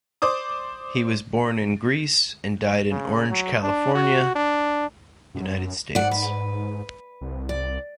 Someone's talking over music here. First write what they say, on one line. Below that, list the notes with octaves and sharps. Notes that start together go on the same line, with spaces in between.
He was born in Greece and died in Orange, California, United States.
C5 D5 D6 D#6
C#3
F#3
D4
F#4
D4
F#2
G#2 D5 F#5
B4
C2
D5